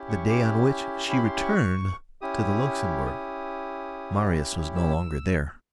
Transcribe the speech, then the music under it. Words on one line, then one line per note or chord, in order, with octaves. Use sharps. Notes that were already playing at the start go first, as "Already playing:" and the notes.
The day on which she returned to the Luxembourg, Marius was no longer there.
Already playing: C#4 E4 G4
C#6
D6
B5
C6
C#6
C#4 E4 G4 D#6
D#6
E6